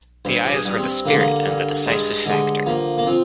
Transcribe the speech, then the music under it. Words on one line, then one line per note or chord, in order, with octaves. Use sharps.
The eyes were the spirit and the decisive factor.
G2 C5
G4
G#4
G2
C4
D3 A#3
G#3
A#3
G2
G2 G#3
D3 G#3
F3 A#3
A#3
F3 C4